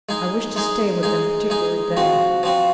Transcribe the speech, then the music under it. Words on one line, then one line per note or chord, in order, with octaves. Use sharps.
I wish to stay with them particularly then.
G#3 D#4 G#4
G#3 D#4 G#4
G#3 D#4 G#4
G#3 D#4 G#4
F3 C4 F#4
F3 C4 F#4